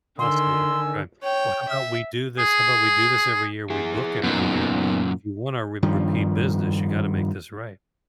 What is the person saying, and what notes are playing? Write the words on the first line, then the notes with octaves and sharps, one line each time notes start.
Possible, right. Well how 'bout we do this how 'bout we do this every year, we book it every year. If you wanna re repeat business you gotta make this right.
D3 D#3 G#5 C6 E6
C#5 G5
E5
G#4
E4 G#4
F#2 A#2 B3 D#4
G2 D#3 F3